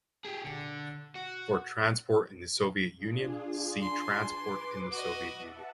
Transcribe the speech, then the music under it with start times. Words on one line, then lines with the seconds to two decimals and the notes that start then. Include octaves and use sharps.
For transport in the Soviet Union, see Transport in the Soviet Union.
0.25 G4 G#4
0.45 D3
1.16 F#4
2.96 D4 F4 G#4
3.81 G#5 A5 C6 G#6
4.23 B4 D6
4.91 F#4 D#5
5.35 E5 F#5 A5